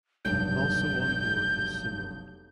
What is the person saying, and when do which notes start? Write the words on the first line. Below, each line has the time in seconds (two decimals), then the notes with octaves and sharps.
Also on board is Simone.
0.25 F1 B1 G2 G6